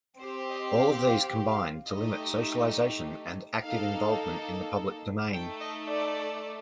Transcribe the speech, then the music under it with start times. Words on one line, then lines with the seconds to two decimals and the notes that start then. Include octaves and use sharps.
All of these combine to limit socialization and active involvement in the public domain.
0.19 C4 G4 C5
0.49 D#5
0.77 F5
1.05 F5
1.48 F5
1.90 A3 D#4 G4 D#5
3.61 A#3 D#4 A4 F5
5.32 A3 D#4 A4 G5
5.60 D#5
5.89 D5